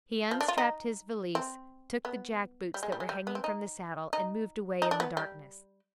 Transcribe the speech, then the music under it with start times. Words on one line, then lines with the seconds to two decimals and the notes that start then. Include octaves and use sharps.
He unstrapped his valise, took the jack-boots that were hanging from the saddle, and moved away in the darkness.
0.31 F3
0.41 D4
0.48 F4
0.58 D#4
1.35 C4
2.05 B3
2.74 G3
2.83 G#3
2.92 G3
3.00 G#3
3.09 G3
3.27 B3
3.35 C4
3.44 D#4
4.13 D#4
4.82 D#4
4.91 D4
5.00 B3
5.17 G3